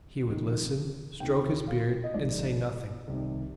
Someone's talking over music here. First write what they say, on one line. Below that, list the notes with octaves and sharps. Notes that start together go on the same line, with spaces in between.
He would listen, stroke his beard, and say nothing.
F1 F2 D#3
D2 C3 D#3 G5
F5
D#5
G#1 G#2 F3 D5
C2 C3 D#3